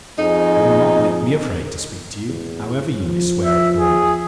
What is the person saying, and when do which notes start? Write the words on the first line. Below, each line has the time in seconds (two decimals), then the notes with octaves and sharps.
You'll not make me afraid to speak to you, however you may swear at the door-mat.
0.19 F2 D#4 G#4
2.28 E2
3.03 F3
3.44 E5
3.78 G#4